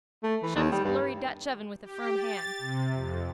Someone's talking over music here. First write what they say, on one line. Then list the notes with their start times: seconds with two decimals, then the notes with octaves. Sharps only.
Shut his blurry Dutch oven with a firm hand.
0.23 A3
0.43 E3
0.55 D#2
0.72 G3
0.84 G2
1.83 G4
2.13 A6
2.58 C3
2.93 F2